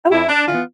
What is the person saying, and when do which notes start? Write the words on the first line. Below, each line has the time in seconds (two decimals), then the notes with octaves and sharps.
Oh, core.
0.11 F2 E4
0.29 D4
0.47 E3 B3 F4